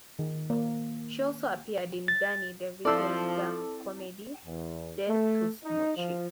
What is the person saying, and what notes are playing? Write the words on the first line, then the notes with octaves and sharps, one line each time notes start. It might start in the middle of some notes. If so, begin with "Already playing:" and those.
She also appeared in Danny DeVito's dark comedy, "Death to Smoochy".
D#3
A#3
A6
F3 C4 E4 A4 D5 E6
E2
A3
D#4
F3